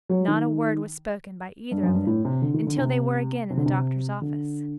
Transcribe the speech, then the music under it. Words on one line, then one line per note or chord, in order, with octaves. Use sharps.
Not a word was spoken by either of them until they were again in the doctor's office.
F#3
D#3
G2
F#2
G2
A2
C3
D3
D#3
D3
C3
C3
D3
C3
D3